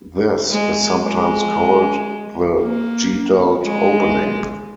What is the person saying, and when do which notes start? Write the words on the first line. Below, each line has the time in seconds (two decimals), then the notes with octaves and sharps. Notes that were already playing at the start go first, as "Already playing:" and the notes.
This is sometimes called the Gedult Opening.
0.51 G#3
1.03 G#3
2.60 A#3
3.64 G#3